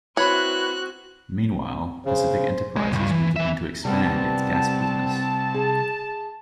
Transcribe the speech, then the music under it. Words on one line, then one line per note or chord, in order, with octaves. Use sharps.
Meanwhile, Pacific Enterprises was looking to expand its gas business.
C4 E4 F#4 B4 C#5 B5 F#6
C#3 C5
G#3
C#2 G2
E3
E3 E5
C2 G3 B3 C4 F#5 A5
G#4